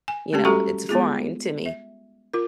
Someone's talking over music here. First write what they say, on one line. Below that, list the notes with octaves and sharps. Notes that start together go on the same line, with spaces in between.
you know it's foreign to me,
G#5
G#3 A3 C#4 G4 G5 A5
G3 F#4 G4 A4 A#5 C#6
G#3 B3 F4 G#4
E5
F4 A#4